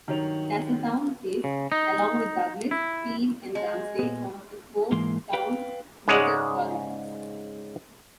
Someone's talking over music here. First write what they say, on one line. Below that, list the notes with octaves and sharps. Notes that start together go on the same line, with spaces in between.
Castletown is, along with Douglas, Peel and Ramsey, one of four town local authorities.
G2 D#3 F#3 D#4 C#5 F7
C#3
D#4
E4
G#3
A#2 B3
G#2 E3 A#3 C6
B4 F5 G5
G#2 C#3 G#3 C#5 D5 F#5